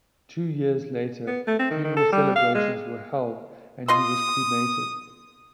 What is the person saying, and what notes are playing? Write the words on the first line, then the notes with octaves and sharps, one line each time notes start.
Two years later funeral celebrations were held and he was cremated.
B3
A3
C4
D#3
D#3
A4
G3
F5
G#3
F4 D#5 C6 D#6